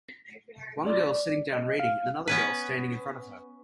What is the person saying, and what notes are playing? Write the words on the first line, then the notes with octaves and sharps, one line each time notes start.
One girl sitting down reading and another girl standing in front of her.
D5
D#5
F5
B3 C#4 B4